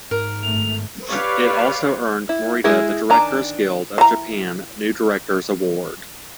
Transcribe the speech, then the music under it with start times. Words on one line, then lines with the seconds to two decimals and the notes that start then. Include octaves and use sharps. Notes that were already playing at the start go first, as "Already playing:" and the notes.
It also earned Morita the Directors Guild of Japan New Directors Award.
0.11 G#2 A#4
0.43 G#1 A3 F7
1.09 G4 B4 C#5 D5 F5
2.29 E4
2.64 G#3 E4 G#4
3.10 D#3 D4 G#5 A#5
3.98 E3 A#5